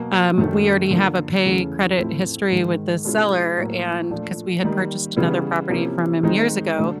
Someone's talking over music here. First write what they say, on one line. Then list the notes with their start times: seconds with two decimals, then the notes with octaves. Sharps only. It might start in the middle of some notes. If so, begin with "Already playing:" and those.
um, we already have a pay credit history with the seller and 'cause we had purchased another property from him years ago,
Already playing: B2 F#3 A#3
0.38 F#2 D#3 F#3 A3 C#4
0.91 D3 F3 A#3
1.44 E2 C#3 E3 A3 C#4
1.98 A2 F3 A3 C4 E4
2.51 G#2 D#3 G#3
3.04 B2 G#3 C#4 E4
3.58 A2 F#3 A#3
4.11 A#2 F3 A3 D4
4.63 D#3 G3 A#3 D#4
5.16 C#3 E3 G3 B3 E4
5.69 C3 F3 A#3 C#4 E4
6.23 D#3 G#3 C4 D#4
6.77 D3 F#3 A3 D4